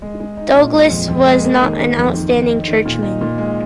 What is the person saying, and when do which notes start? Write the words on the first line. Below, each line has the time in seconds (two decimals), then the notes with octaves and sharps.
Douglas was not an outstanding churchman.
0.02 G#3
0.20 G#3
0.37 D#4
0.55 A#2
0.73 G#3
0.90 F2
1.08 F2
1.26 G#3
1.44 A#3
1.61 D#3
1.79 D#3
1.97 F2
2.14 D#3
2.33 D#3
2.50 D#4
2.68 D#3
2.86 A#2
3.03 D#4
3.21 A#2
3.38 G#3